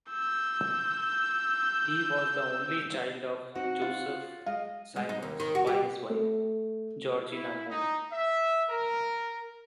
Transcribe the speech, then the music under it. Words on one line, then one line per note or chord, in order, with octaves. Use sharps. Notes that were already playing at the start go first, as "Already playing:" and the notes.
He was the only child of Joseph Symons by his wife, Georgina Moon.
E6 G6
C4 D#4 F#4 F#5
F4
G#3 D#5 F5
G#3
D#4
D#2
D#3
F#4
G4
A3
E4
D#4
E5
A#4